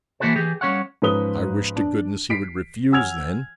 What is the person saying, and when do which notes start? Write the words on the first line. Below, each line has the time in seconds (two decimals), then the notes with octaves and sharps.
"I wish to goodness he would refuse, then!"
0.20 E3 A#3 E4 F#4 A4 C5
0.36 E3 G4 G#4
0.61 G3 C#4 A4 C#5 F5 F#5
1.02 G#2 F3 C#4 B4 D#6 G7
1.76 D4
2.30 B6 C7 D7
2.92 F#5 G#5 E6 F6 G#6 F7